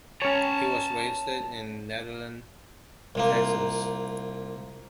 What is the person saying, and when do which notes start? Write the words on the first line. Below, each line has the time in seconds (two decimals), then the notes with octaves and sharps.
He was raised in Nederland, Texas.
0.22 C#4 C#5 A5 A#5
3.15 C2 F3 A#3